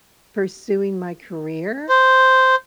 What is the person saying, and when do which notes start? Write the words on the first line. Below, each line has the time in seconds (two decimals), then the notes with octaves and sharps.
pursuing my career,
1.89 C5